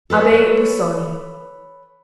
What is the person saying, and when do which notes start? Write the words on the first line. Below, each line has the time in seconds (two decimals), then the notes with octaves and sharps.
"Abbe Busoni."
0.10 A4 B4 C#5